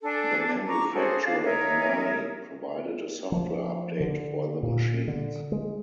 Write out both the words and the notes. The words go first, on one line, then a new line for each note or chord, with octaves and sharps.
The manufacturer, Konami, provided a software update for the machines.
D4 A4 G#5
A#5 C#6 D6
F#4 G#4 A4 C5
D4 F5
D#4 A#4 C#5 E5
F3
D3
A#2
D3
G#3